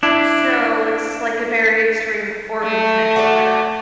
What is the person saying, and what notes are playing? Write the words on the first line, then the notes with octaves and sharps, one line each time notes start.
So, it's like a very extreme organ transplant.
D4 E4
A3
F#4 D5